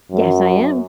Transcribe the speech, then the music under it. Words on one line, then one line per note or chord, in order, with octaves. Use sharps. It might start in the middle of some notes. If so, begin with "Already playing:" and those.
Yes, I am.
F#2